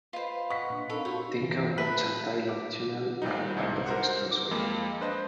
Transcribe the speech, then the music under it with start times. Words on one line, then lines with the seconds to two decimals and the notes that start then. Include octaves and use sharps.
Ting Kau Bridge and Tai Lam Tunnel are part of the expressway.
0.13 F4 B4 C5 D#5 B5
0.50 F#5 C#6 B6
0.70 A#2 D4
0.90 C4 D#4 A4 A#4 F5 B5
1.05 F#4 G4 C#5 B5 C6
1.39 G2 C#3 E3
1.78 G4 B4 E5 A5
2.49 D6
3.22 A#2 D#3 G3 D#4
3.57 C2 G#2
3.86 A#4 C5 F#5
4.31 D6
4.51 F2 G#3 A#3
5.01 D4 B4 C5 D#5